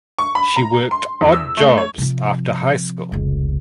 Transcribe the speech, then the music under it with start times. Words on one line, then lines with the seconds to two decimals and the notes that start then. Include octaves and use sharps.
She worked odd jobs after high school.
0.18 C#6
0.35 B5
0.56 A#5
0.91 C6
1.21 E2
1.32 E6
1.57 A3
1.77 C#5
1.98 C3 F3
3.12 F1 C#2